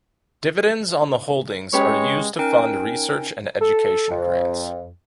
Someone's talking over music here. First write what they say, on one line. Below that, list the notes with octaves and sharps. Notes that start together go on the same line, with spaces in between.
Dividends on the holdings are used to fund research and education grants.
G#3 C#4 G4 B4 C#5
C#4 D#4 A#4 G5
A4
F2